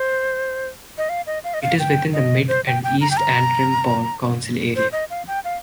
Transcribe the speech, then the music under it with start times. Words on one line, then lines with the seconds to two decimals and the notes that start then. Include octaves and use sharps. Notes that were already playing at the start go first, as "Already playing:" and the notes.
It is within the Mid and East Antrim Bourgh council area.
Already playing: C5
0.98 D#5
1.09 F5
1.27 D#5
1.44 F5
1.54 D#5
1.62 F5
1.79 G5
2.13 D#5
2.49 C5
2.67 G5
2.84 G5
3.01 A#5
3.11 G5
3.18 A#5
4.76 C5
4.92 D#5
5.10 F5
5.28 G5
5.45 F5